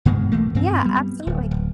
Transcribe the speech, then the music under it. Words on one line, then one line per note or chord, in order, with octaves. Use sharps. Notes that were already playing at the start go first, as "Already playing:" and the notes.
Yeah, absolutely.
G2 B2 D#3 G#3
B1 E3 A3 A#3
G2 C4
G3 B3
D1
D1